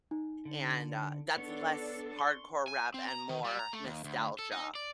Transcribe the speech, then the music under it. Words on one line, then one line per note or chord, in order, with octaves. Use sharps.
and, uh, that's less hardcore rap and more nostalgia.
D#4
D3
B3 D4 A4 C#5
C6 C#6
G#5
C4
A#5
D#3
G3
A#5
A3
D#2
D2
A4
D#4
D5